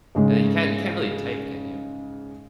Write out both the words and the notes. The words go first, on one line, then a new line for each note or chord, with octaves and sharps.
And then you can't you can't really type, can you?
G#2 C#3 G#3